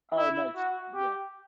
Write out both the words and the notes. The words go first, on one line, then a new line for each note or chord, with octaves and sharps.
Oh nice, yeah.
E4
F#4
G4